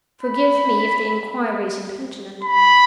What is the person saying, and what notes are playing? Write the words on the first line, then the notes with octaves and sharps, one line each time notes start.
Forgive me if the inquiry is impertinent.
B5
B5